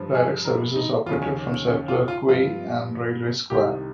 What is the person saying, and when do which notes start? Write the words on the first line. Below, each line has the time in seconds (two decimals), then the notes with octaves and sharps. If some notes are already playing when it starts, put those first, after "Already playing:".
Direct services operated from Circular Quay and Railway Square.
Already playing: G2 F3
0.15 G#4
0.45 A#4
0.76 D#4
1.06 D#2 C#3 F3 F4
1.22 C#4
1.67 C#4
1.88 F4
2.08 F4
2.29 G2 F3 F4
3.50 C2 C3 D#3 G4